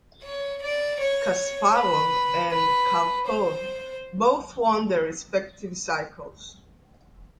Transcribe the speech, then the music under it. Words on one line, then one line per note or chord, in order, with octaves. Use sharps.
Kasparov and Karpov both won their respective cycles.
C#5
D5
C#5
B4
B4
C5